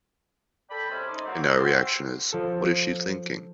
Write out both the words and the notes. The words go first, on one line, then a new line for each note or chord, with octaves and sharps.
And our reaction is 'What is she thinking?
A4 D5 G5 B5
C3 G#3 C4 C#4
D#4 C5 D5
F#3 A#3 C4
G#2 C3 A3 D#4 F#4
F#4 G4 C5 E5 G5 C6
F3 A4